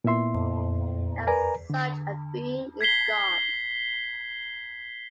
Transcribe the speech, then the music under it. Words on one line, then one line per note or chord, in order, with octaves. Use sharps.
And such a being is God.
A#2 B3 E4 E5 C6
A#4 B4 D5 G#5 A#5
D3
G#6 B6 C7 G7